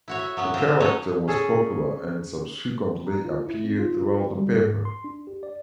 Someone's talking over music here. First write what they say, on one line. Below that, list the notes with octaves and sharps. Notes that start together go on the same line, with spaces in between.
The character was popular, and subsequently appeared throughout the paper.
E4 F#4 C#5
E5
F#3 B3 C#4
C4 F4 G4 C5
C4
F#3 B3 C#4 A4 C#5 D#5
C#4 G#4 A4
A#5
F4
E4
C4
F4
C5
G3
G#2
C6
D4
G4
D5